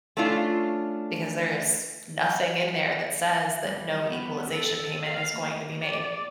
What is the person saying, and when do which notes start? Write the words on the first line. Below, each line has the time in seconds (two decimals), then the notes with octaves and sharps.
because there is nothing in there that says that no equalization payment is going to be made."
0.17 A3 C#4 D4 F4
3.60 G3
4.08 B3
4.50 A4
5.03 F5
5.36 A#3
5.81 D5